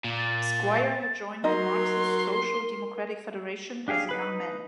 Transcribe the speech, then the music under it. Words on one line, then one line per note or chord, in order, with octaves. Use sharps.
Squire had joined the Marxist Social Democratic Federation, as a young man.
A#2
A6
F#3 D#4 F#4 A#4 D#5 C6
D4 G4 G#4 F5
D#4 B4 B5